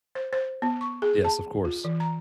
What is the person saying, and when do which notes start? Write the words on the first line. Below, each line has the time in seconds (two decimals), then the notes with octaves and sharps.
Yes, of course.
0.15 C5
0.33 C5
0.62 B3
0.81 C#6
1.02 G#4
1.24 A5
1.65 F4
1.85 E3
2.00 A#5